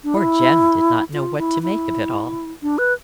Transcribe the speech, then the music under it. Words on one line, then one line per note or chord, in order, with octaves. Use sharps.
Poor Jem did not know what to make of it all.
D4
E4
F4
E4
E4
D4
B4